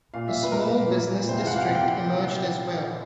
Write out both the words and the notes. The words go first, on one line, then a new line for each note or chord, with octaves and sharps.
A small business district emerged as well.
A#2 F5
A#2 E5
A#2 B4
A#4
A#2 B4
A#2
A#2
A#2
A#2
C3 C5
F5
E3
F#5
C3 F5
F#5
C3 G5
E3